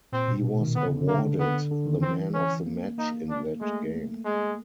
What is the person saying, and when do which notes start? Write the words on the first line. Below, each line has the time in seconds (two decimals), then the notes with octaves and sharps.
He was awarded the 'man of the match' in that game.
0.12 A#2 C4
0.28 B2
0.44 B2
0.60 D#3
0.75 D3 B3
0.86 C#3
0.97 D3
1.07 D3 A#3
1.40 B3
1.71 D3
1.87 D#3
2.02 E3 C4
2.34 C#4
2.66 A#3
2.98 A#3 D#4
3.30 D4
3.61 G#3 A3
4.25 G#3